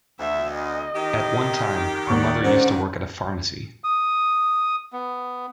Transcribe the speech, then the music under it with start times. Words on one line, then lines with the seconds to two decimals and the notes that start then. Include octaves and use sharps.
At one time, her mother used to work at a pharmacy.
0.20 D2 E5
0.53 D#5
0.95 D#3 G4
2.07 D#2 D5 F#5 C#6
2.44 D3 D#3 C#4 C5
3.84 D#6
4.93 B3